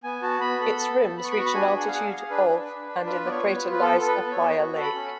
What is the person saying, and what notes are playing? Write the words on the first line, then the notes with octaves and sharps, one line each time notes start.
Its rims reach an altitude of and in the crater lies a playa lake.
B3 G#5
F#4 A5
B3 B5
A4 B5
B3 A5
B3
B3 B5
C#6
B5
F#4 C#6
B5
D4 G#5
G#4
F#5
F5
G#4 F#5
F5
G#4
D4 B4
D4
D4
D4
F4 B4
B3 D5
C#5
B3
B4
F4
B4
B3 A4
A4
B4
B3
C#5
B3
F#4
A4
B5
C#4